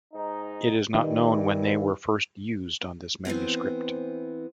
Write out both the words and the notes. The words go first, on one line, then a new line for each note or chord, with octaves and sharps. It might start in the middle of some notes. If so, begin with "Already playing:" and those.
It is not known when they were first used on this manuscript.
G#2 D#4
G2 D#3 E3
E3 B3 C4 C5